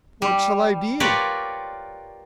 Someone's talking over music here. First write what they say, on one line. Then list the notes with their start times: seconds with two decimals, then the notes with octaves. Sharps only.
"What shall I be?"
0.22 G3
1.00 F4 G4 A#4 B4 C#5 D5